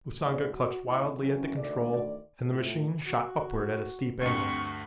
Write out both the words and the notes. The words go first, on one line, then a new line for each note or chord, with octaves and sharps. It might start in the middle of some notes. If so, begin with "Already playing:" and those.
Usanga clutched wildly at the control and the machine shot upward at a steep angle.
D2 G#2 D5
F#4
D#2 A#2 E4 D#5
E3 F#3 C4 C#4
D2 D#3 A3 D5
A2 F4
F#4
D2 G2 C4 C#6